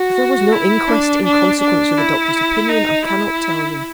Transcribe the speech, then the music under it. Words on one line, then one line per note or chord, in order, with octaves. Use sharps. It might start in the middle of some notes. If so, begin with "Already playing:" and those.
'As there was no inquest, in consequence of the doctor's opinion, I cannot tell you.'
Already playing: F#4
E4
D4
D4
D4
E4
D#4
E4